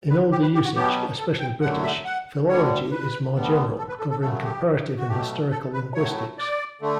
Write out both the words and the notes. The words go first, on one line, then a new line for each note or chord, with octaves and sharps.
In older usage, especially British, philology is more general, covering comparative and historical linguistics.
B4
G4
B4
G4
F#4
B2 F#3 B3 G4
A4
G5
F#2 D3 F#3 A3 F#5
E5
F#5
D2 D3 G3 C#5
B4
D2 D3 G3 B3
A4
B4
A4
A4
F#2 C#3 F#3 A3 A4
G4
F#4
B2 F#3 A3 G4
A4
B4
A2 F#3 A3 C#5
D5
D3 A3